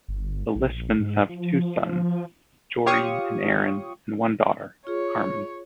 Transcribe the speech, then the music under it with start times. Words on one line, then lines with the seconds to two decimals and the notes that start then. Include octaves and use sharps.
The Lishmans have two sons, Geordie and Aaron, and one daughter, Carmen.
0.08 G1
0.55 A#1
1.00 G#2
1.29 F3
2.86 F4 G4 C#5 F5 C#6 D#6
4.87 F4 G#4 C#5